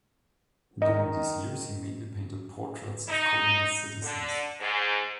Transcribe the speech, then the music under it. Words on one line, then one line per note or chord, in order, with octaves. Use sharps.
During these years he mainly painted portraits of Koblenz citizens.
D#3 D#5
D#4
D3
G#2